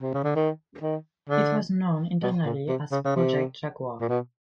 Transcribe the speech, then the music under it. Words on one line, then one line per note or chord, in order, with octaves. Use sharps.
It was known internally as project "Jaguar".
C3
C#3
D3
D#3
D#3
D3
B2
A#2
C3
C#3
C#3
C3
A#2
B2